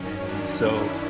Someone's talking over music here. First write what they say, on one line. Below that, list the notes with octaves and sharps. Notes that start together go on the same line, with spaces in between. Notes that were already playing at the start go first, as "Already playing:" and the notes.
and so
Already playing: F#2 D#3 C#4
D4
E4